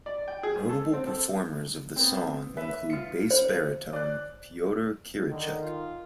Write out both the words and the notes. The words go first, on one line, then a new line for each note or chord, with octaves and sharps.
Notable performers of the song include bass-baritone Pyotr Kirichek.
D5
G5
G#4
G#2
A4
C4
A4
B3 C4
B4 E5
F4 C#7
C5
D5 F#6
D3 D#3
F4